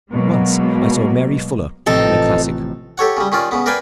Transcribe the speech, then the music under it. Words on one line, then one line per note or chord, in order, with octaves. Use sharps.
Once I saw Mary Fuller in a classic.
B2 F#3 G#3 A#3
A1 C3 F3 C4 D#4 A4
G4 A4 C#5 F#5
C#3 G3
D#3 C#4 F4 D5
C#3 B3
A#4 B4 D5 F5 G5 G#5